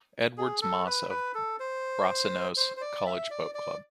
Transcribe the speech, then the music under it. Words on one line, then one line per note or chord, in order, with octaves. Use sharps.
Edwards-Moss of Brasenose College Boat Club.
G#4
A4
B4
B4
A4
C5
C5
C5
D5
E5
D5
D5